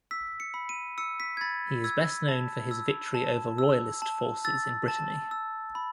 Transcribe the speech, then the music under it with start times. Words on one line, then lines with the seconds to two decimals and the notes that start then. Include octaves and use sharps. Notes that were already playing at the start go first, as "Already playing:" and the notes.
He is best known for his victory over Royalist forces in Brittany.
0.11 E6 B6
0.40 C#7
0.54 B5
0.69 D#7
0.98 E6 C#7
1.20 B6
1.37 G#6
1.41 B5 A6
1.84 E6 G#6
2.28 A5
2.71 E6
3.15 A5
3.58 E6
4.02 A5
4.45 E6 A6
4.88 A5
5.31 E6
5.75 B5